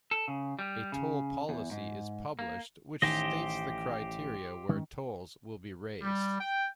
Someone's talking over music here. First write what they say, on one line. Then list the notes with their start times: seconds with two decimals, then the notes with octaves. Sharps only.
A toll policy is published which states the criteria where tolls will be raised.
0.11 A4
0.28 C#3
0.59 G3
0.92 C#3
1.49 E2
1.71 G#2
2.39 A#3
3.02 A1 D#3 G4 C5 D#5
4.69 G#2 D#3 C#4
6.02 G3
6.40 G5